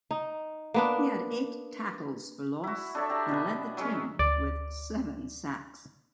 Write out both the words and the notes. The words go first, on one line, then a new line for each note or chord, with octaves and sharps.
He had eight tackles for loss and led the team with seven sacks.
D#4
A#3 B3 D4
E4 F#4
D4 A4 C#5 E5
G4 F#5 A#5
B2 B3
F#3 G#3 C#4
D2 D5